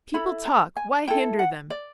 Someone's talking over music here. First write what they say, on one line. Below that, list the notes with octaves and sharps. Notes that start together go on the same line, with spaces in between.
People talk, why hinder them?
E4 A4 B5
A#5
G#5
E4 A4 G5
F#5
D5